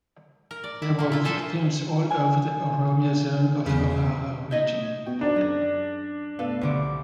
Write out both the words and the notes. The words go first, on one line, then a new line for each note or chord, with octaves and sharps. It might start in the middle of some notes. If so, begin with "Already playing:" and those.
There were victims all over the Oromia Zone of Amhara region.
A#4
D5
E4
A#2 A#3
E4 F4
G#4 A4 C5 E5 G#5 A5
G#5
E2 C#3
D#4 D#5 E5 G6 G#6
B2 F#4 G5
C4 D4 D#4 A#4
F#2 G#4 A#6
B2 A3 B3 A4 B4 F5
C2 D3 E5 D6